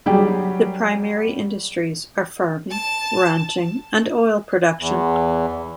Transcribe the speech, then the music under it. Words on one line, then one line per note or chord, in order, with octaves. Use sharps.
The primary industries are farming, ranching and oil production.
F#3 G3 G4 G#4
A5
E2